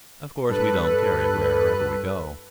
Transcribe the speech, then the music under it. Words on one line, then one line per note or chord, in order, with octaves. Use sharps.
Of course we don't carry it wherever we go.
G2 A4 B4 F#6